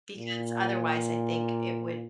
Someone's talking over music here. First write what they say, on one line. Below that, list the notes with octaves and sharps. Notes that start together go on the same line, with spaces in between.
because, otherwise, I think it would
A#2